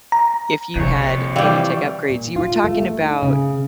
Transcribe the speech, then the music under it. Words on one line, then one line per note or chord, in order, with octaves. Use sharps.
if you had any tech upgrades? You were talking about,
A#5
F2 C3 C#5
E3 G3 D5 F5 G5
A#2
F4
A3
A3
D#4
C#3